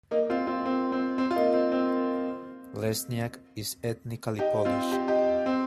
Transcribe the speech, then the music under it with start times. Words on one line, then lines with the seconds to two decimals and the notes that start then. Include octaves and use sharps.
Lesniak is ethnically Polish.
0.11 A#3 D#4
0.30 C4 F4
0.47 C4 F4
0.66 C4
0.92 C4
1.18 C4
1.31 F4
1.36 A#3 D#4
1.53 C4
1.72 C4
4.39 D#4 G4
4.65 C4 F4
4.92 G4
5.07 D#4 G4
5.46 C4